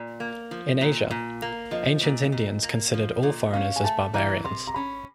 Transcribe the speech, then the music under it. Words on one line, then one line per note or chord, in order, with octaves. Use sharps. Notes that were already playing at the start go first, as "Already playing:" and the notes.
In Asia, ancient Indians considered all foreigners as barbarians.
Already playing: A#2 D5
A#3
F3
A#2
A#2
A#3
F3 D#5
A#2
A#2
A#3
F3
A#2
C#4 F5
G#5
A3 A5
E3 A#5
C3 C6
A#5
C#4 B5